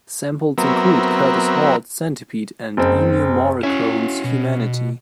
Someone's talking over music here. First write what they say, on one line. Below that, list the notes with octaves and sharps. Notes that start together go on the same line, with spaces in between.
Samples include Curtis Hoard's "Centipede" and Ennio Morricone's "Humanity".
F#3 B3 C4 A#4 E5
F#1 C4
C#4 E4 F#4
B2